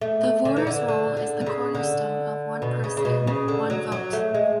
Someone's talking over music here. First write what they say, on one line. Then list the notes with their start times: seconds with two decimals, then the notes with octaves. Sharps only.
The voters roll is the cornerstone of one person - one vote.
0.01 A3
0.24 A3
0.45 D3
0.56 E3
0.67 D3
0.88 D3
1.17 D3
1.41 D3
1.46 C#3
1.75 D3
2.62 B2
2.84 C#3
2.97 C#3
3.05 B2
3.27 C#3
3.48 D3
3.70 F#3
3.92 F#3
4.13 A3
4.34 G#3